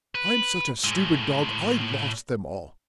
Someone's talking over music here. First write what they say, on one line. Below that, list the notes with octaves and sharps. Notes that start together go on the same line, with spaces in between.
I'm such a stupid dog I lost them all!
B4
A2 G#3